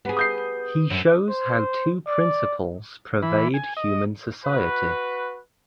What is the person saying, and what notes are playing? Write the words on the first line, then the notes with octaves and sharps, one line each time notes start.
He shows how two principles pervade human society.
B3 G4 G#4 B4
D#6 G6 C7
F#2
C5
D5
E3 B5
G#5
D#5
F#4 B4